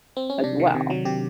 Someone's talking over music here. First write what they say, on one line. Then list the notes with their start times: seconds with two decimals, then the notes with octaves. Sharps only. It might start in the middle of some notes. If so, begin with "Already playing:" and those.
as well.
0.17 C4
0.30 C#4
0.44 C3 D4
0.60 D#3
0.75 C3
0.90 F#3
1.05 C3 G4